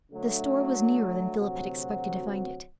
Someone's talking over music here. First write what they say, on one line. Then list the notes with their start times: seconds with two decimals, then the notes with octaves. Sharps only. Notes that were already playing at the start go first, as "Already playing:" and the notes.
The store was nearer than Philip had expected to find it.
0.10 D2 D3 F#3 A3
1.37 D2 C3 F#3 C4 F#4